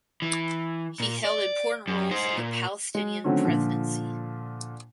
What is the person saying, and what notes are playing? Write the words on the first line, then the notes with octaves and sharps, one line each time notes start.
He held important roles in the Palestinian presidency.
E3
A#2
D5
F#2
D#4 C5
A#2
G#3
D3 D#3 F#3 A3 C4 C#4
A#2 D3 F3